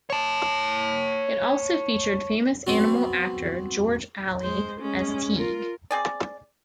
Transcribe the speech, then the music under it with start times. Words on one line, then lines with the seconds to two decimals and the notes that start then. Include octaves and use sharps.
It also featured famous animal actor George Ali as Tige.
0.10 C#5 A5
2.67 F#3 B3 C4
4.41 G#3 C5
4.80 G#3 C#4
5.35 F4 A#4
5.91 C4 G#4 D5